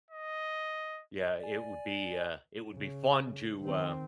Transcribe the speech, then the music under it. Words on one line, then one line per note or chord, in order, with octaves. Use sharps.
Yeah, it would be, uh it would be fun to, uh
D#5
D5 G#5
C#3
D#3 C4